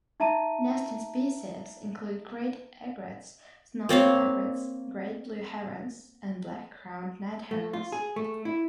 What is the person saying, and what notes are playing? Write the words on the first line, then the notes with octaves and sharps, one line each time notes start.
Nesting species include great egrets, snowy egrets, great blue herons, and black-crowned night herons.
D#4 E5 A5 A#5 D#7
A#3 C4 C#5 F5
A3
F4
G#4
A3
E4